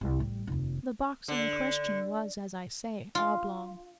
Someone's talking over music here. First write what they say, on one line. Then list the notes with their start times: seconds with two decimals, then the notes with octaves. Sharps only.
The box in question was, as I say, oblong.
0.01 C2
0.19 A1 G3
0.47 F1 D#2
1.28 D3
3.15 F4